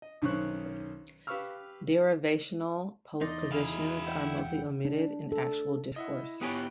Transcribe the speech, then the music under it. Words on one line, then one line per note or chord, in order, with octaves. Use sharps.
Derivational postpositions are mostly omitted in actual discourse.
D#5
B1 D#3 C#4 C5 C#6 F#6
G4 B4 F5 C#6 E6 F6
E2 D#4 D5 D#5 C6
E4 G#4 F5
F#5 G5
D4
A4
E4 D#5 E5 F#5
B3 G4 B4 C#5 G#5 D#6